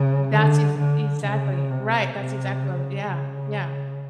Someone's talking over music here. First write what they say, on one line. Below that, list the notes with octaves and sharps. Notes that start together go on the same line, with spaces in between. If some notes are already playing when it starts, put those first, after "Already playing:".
That's ex exactly right, that's exactly what I yeah, yeah.
Already playing: C#3
D3
D3
C#3
C3
C3
C#3
C#3